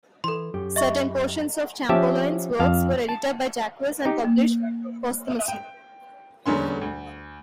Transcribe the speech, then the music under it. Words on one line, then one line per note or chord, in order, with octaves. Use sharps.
Certain portions of Champollion's works were edited by Jacques and published posthumously.
E3 A4 C6
F#2 G4
D#5 E5 C#6
F3 C#4 G4 E5 A5
F2 F5 A5
A5
D#4 G4
A#3
G5
D#1 E2 D3 C#4 C6
D2